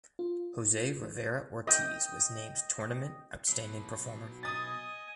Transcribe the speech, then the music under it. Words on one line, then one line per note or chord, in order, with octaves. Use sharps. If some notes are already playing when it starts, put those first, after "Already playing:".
Jose Rivera Ortiz was named Tournament Outstanding Performer.
F4
D#5 G5
B2 F#3
D#5 G#5 D#6 A6